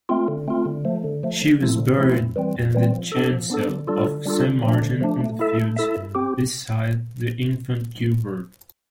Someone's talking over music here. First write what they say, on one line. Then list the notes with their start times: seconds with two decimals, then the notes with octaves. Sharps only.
She was buried in the chancel of Saint Martin-in-the-Fields beside the infant Gilbert.
0.09 A3 C4 F4
0.28 D3
0.48 A3 C4 F4
0.65 D3
0.85 F3 A3
1.04 D3
1.23 F3 A3
1.42 D3
1.60 F3 A3 C4 E4
1.79 D3
1.98 F3 A3 C4 E4
2.18 F2
2.36 E3 G3 C4
2.55 F2
2.75 E3 G3 C4
2.93 F3
3.12 B3 D4 A4
3.31 F3
3.50 B3 D4 A4
3.68 D3
3.87 G3 D4 F4 A4
4.07 D3
4.26 G3 D4 F4 A4
4.44 D3
4.63 F3 A3 D4
4.82 D3
5.01 F3 A3 D4
5.21 A3
5.39 E4 A4 E5
5.58 A3
5.76 E4 A4 E5
5.97 G2
6.15 C4 G4